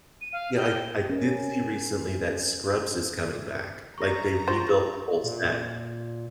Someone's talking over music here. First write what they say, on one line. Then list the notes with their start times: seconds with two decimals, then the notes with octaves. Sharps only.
Yeah, I I did see recently that Scrubs is coming back, like, they rebuilt the whole set
0.21 D#7
0.33 F5
0.57 G5
1.08 C3 C#4 A#4
3.98 A#5 C#6 A#6
4.48 F4 C5 C#6 A6
5.24 A#2